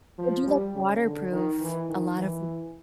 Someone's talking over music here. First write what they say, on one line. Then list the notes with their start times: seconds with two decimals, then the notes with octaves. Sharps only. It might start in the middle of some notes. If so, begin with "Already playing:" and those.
Or do like waterproof, a lot of
0.18 F3
0.47 G3
0.75 C#3
1.04 D3
1.32 D#3
1.61 E3
1.89 D#3
2.18 E3